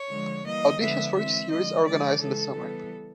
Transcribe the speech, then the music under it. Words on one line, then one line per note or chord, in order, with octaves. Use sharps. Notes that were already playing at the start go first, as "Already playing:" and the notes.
Auditions for each series are organized in the summer.
Already playing: C#5
D3 F3 G#3
E3 G3 A#3 D#5
D3 F3 G#3 B3 E5
E3 G#3 C4 E5
D3 F3 G#3 D#5
D3 F3 G#3 C#4 D5
C#3 E3 G#3 A4
E3 G3 B3